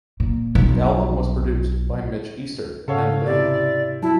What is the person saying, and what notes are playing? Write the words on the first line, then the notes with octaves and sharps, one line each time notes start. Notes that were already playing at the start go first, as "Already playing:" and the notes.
The album was produced by Mitch Easter and the band.
A#2
B1
G#2 C#3 A4 C#5 F5 F#5
C3 E4 G4 D5
F#3 E4 A5